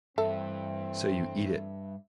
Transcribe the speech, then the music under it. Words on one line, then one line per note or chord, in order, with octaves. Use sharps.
So you eat it.
G2 E3 A3 C4 A4 E5